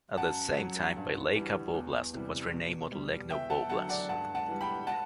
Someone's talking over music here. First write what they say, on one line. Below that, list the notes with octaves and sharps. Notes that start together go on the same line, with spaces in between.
At that same time, Vileika Voblast was renamed Molodechno Voblast.
F#2 F#5 A5
F#3
G2
E3 G3
E2
C3 E3 G3
B2
G3
E2 E5 G5
F#5 A5
D3 F#3 F#5 A5
D5 F#5
G2 F#5 A5
F#5 A5
E3 G3
G5 B5
F#5 A5